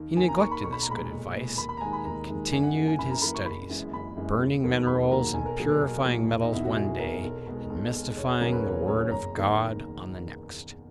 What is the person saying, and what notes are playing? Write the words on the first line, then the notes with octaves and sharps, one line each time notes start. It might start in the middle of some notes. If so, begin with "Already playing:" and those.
He neglected this good advice, and continued his studies; burning minerals and purifying metals one day, and mystifying the Word of God on the next.
Already playing: D#2 D#3 A#3
D#2 G#5
A#5
D#3 A#3 C#6
B5
B1 C#6
B5
A#5
A#2 G#3 B5
B1
A#2 G#3
D#2 B5
B5
A#5
D#3 G#3 G#5
B5
D#2 A#5
D#3 G#3
F#2 G#5
F#5
E3 A#3
G#5
F#2 B5
A#5
E3 A#3 B5
C#6
F#1 B5
F#2 E3 G#3
F#1 B5
F#2 E3 G#3
E1
D#2 D#3 F#3 A#3
E1 B5
D#2 D#3 F#3 A#3 A#5
B1 G#5
A#4
A#2 F#3 A#3 G#4
A#4
B1 A#4
A#2 F#3 A#3
E1
D#4
E2 B2 E4
F#4
E1 G#4
G#4
E2 B2 A#4
B1
B2 G#3
B1
B2 G#3
E1 C#5
G#4
D#2 C#3 F#3 A#4
B4
E1 C#5
D#2 C#3 F#3 C#5
F#1 A#5
E2 D#3 A#3